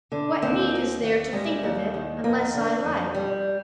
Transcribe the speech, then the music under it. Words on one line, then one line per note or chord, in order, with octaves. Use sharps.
What need is there to think of it, unless I like?
D3
D#2 C4
D#3
D#2
G3 G#3
D#2
D#3
F2 A#3
D3
F2
G3